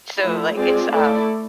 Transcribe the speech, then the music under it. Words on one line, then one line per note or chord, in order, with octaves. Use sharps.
So like it's, um,
F3 A3 E4
G#3 C4 F4 G#4 D5
A3 E4 A4 D5